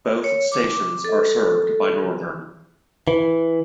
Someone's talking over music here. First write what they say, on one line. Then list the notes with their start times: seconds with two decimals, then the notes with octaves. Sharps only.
Both stations are served by Northern.
0.24 C#5
0.52 D6
1.04 A4
3.08 E3